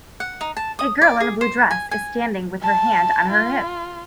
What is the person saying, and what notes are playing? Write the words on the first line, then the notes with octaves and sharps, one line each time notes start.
A girl in a blue dress is standing with her hand on her hip.
F#5
D#4
A5
D#6
D5
G#4
C5
G#5
G#5
A5
F4